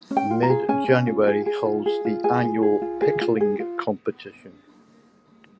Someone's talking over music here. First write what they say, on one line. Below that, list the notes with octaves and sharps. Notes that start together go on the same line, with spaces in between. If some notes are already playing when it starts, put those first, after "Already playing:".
Mid-January holds the annual Pickling Competition.
C#4
G5
F4
A#5
G#4
C#4 G#5
C#4
F4
G#4
G#4
F4
G#4
F4
G#4 G#5
F4
G#4
F4
G#4
F4
G#4
F4